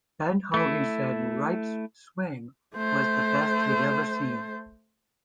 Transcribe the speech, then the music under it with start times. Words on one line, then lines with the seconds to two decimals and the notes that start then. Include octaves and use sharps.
Ben Hogan said Wright's swing was the best he had ever seen.
0.54 A3 E4
2.76 A3 C5